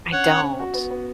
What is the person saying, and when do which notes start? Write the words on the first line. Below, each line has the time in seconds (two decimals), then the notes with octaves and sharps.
I don't.
0.12 C#4 C#5 F#5
0.28 C#4
0.44 C#4
0.59 F#4
0.74 B3
0.90 B3